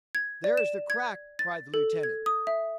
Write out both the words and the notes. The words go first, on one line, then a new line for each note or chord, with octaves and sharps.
"There is the crack!" cried the lieutenant.
G#6
D5
E7
G#6
A6
A4
G#6
D#6
E5